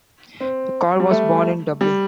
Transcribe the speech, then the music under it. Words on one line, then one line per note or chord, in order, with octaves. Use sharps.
Carr was born in Dublin.
C4
G3
A3
G3